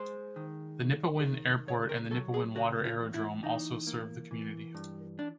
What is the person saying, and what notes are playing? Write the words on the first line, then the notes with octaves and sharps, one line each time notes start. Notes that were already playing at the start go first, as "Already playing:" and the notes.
The Nipawin Airport and the Nipawin Water Aerodrome also serve the community.
Already playing: G#3 C5
D#3
D#2
D#3
C#3 C#5
A#4
F#3 A4
G#4
C#3 F#4
F4
E2
E4
E3 D#4
A#3
E3
G2
D4